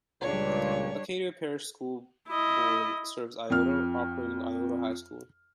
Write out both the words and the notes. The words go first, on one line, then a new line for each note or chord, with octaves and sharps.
Acadia Parish School Board serves Iota, operating Iota High School.
C#2 A#2 G3 D4 C#5
E4 D#5
F2 F6